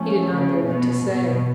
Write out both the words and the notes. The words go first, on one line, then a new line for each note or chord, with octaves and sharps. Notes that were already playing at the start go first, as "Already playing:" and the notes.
He did not know what to say.
Already playing: F3 A3 C#4
C#3
B2
B2